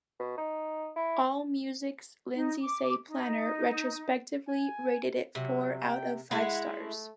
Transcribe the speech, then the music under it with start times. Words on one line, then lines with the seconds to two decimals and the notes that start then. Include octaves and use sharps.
Allmusic's Lindsay Planer retrospectively rated it four out of five stars.
0.20 B2
0.38 D#4
0.96 E4
2.34 D#4
2.60 D6
3.08 D#4
4.48 G#5
5.35 C3 F#3
5.82 G5
6.31 G#3 E4 F#5
6.80 A3